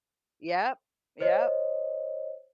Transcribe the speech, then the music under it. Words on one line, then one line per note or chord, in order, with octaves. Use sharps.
yup, yup.
C5 C#5 D#5